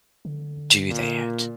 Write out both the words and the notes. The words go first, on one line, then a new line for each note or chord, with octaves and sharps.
do that
D3
A#2